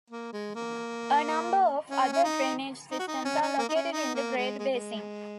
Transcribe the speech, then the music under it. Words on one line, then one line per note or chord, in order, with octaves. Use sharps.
A number of other drainage systems are located in the Great Basin.
A#3
G#3
A#3
C#4
C#4
D#4
D#4
F#4
D#4
C#4
C#4
A#3
D#4
C#4
D#4
A#3
G#3
G#3
G#3